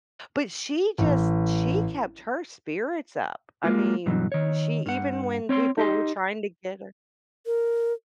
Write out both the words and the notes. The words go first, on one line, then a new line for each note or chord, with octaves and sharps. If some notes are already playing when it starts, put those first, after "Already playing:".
But she just she kept her spirits up. I mean, she even when people were trying to get her
A1
G#3 A#3 F4
G2 B2 E3 F#3
D#3 C#5
G2 F#5
C4 C#5 G5 C6
D#4 G4 D#5 C6
A#4